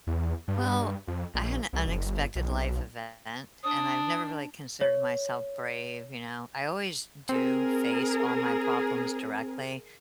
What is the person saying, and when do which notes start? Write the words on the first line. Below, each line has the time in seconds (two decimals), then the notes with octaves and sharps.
Well, I had an unexpected life event, and I've never really considered myself brave, you know, I always do face all my problems directly,
0.07 E2
0.48 G2
1.07 F2
1.34 A#1
1.73 C2
1.88 F#1
2.05 G1
2.35 B1
3.64 D4 D#6
4.81 C#5
7.29 C4 G#4 A#4